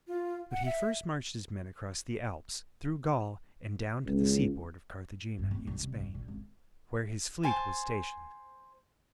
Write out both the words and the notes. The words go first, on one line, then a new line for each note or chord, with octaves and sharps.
But he first marched his men across the Alps, through Gaul, and down to the seaport of Carthagena in Spain, where his fleet was stationed.
F4
F#5
E5
C#2
G2
D1
A#1
C2
G2
A#1
G#1
C5 G#5 A5